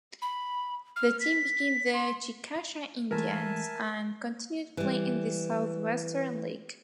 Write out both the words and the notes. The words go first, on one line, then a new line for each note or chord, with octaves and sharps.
The team became the Chickasha Indians and continued play in the Southwestern League.
B5
F6
B6
C6
E3 G#3 A3 A#4 E5 G#5 A5
E3 G3